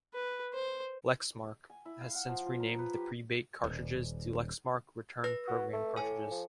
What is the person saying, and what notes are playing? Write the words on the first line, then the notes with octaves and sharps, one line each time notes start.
Lexmark has since renamed the Prebate cartridges to Lexmark Return Program Cartridges.
B4
C5
G#5
E4
F5
F#5
F3
F4
A#5
B4
G4
D#1
B4 A#6
F#4
A3
A2 A4 G#5
F3